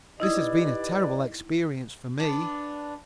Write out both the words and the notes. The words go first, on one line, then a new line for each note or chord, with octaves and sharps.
"This has been a terrible experience for me."
D#4 E4 G4 B4 D5 D#5 D#6 G#6
B3 D4